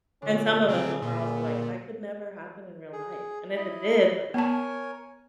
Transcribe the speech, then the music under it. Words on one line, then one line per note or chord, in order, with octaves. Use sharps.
And some of them are also like, "That could never happen in real life." And if it did, like,
A#2 D3 C#4
C#3 F#3 A3 C4 G#4 A4
A#2 C#3 G3 A#3 C6 E6
G#4
E4 D#5
B3 A#4 C#5 G#5 A5